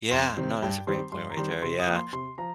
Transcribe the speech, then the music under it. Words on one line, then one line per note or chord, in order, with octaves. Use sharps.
Yeah. No, that's a great point right there, yeah.
F2 C6
C3 D#3 C4
G2 G5
D#3 G3 C4 C6
G2 C6
A#5
D#3 G3 C4 C6
C3 C6
D#6
F3 A#3
C6
C3 C6
F3 A#5